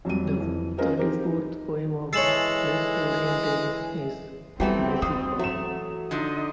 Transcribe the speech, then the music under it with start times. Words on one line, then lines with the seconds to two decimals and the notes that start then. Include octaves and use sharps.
The thirty-fourth poem of "Les Orientales" is "Mazeppa".
0.05 F2 F#3 G3 D#7
0.36 F2 E3
0.77 C#4 F4 G#4 A#4 C5 D#5
0.97 C4 D#4 G4 A#4
1.24 D#4
2.13 E3 G#3 A4 C#5 C7 E7 F#7
4.60 E3 F#3 G3 A3 B3 C4 G4 A4
5.02 F2 E3 D#6
5.39 F#3 A3 E7
6.11 D3 F3 D4 D#4 D#5